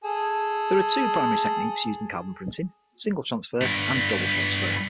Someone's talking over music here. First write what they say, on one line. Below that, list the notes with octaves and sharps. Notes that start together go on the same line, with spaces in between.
There are two primary techniques used in carbon printing: single transfer and double transfer.
G#4 A4
G2 B3